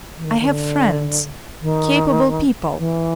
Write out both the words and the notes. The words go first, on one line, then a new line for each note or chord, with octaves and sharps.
I have friends... capable people....
E3
D#3
D3
D#3
D3
D#3
E3